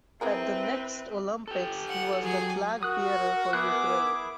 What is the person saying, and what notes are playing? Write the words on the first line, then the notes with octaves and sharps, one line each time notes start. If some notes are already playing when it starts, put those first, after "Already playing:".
At the next Olympics he was the flag bearer for Ukraine.
E3 C4 G#4 A#4 B4 E5
G4 A4
F#5
F#3 G#4
F#4 A#4 D#6 F#6
B3 E4 G#4 E5 D6 F#6